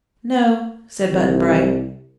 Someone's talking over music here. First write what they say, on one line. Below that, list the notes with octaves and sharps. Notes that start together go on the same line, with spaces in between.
"No," said Button-Bright.
C2